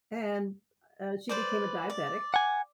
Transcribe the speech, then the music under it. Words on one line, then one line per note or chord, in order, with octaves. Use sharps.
and, uh, she became a diabetic.
B4 C5 D5
D5
F#5 G#5